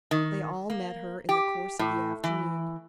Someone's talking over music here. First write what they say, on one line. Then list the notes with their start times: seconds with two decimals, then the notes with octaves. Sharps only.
They all met her in the course of the afternoon.
0.11 D#3
0.70 A#3
1.29 G4
1.79 A2
2.24 E3